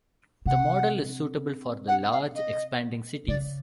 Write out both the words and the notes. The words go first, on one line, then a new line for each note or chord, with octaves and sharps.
The model is suitable for the large, expanding cities.
C3 F#5
F#5
F5
D#5
C#3 D5